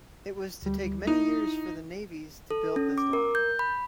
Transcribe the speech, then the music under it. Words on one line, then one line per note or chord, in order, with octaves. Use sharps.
It was to take many years for the navvies to build this line.
D2 G3
D#4 E4
A4
C#4
D6
A#4
G6
B5